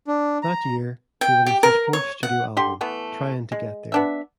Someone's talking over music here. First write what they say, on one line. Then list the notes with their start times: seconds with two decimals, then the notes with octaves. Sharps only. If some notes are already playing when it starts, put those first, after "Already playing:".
That year, he released his fourth studio album, "Tryin' to Get There".
0.07 D4
0.43 A#5
1.21 G5
1.46 G4
1.63 A#4
1.93 C#5
2.23 F#5
2.57 D3 G4 C6
2.81 E3 A3 B3
3.52 G#3
3.92 B3 D4 E5